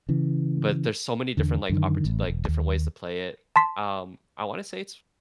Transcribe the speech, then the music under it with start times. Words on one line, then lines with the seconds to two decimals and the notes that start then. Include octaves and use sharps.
But there's so many different, like, opportu like, different ways to play it, um, I wanna say it's
0.09 C#3 E3
1.37 E2 D3
1.69 F#2 D3 D#3
2.05 A1
2.27 E1
2.48 D#2
3.56 A5 C6 B6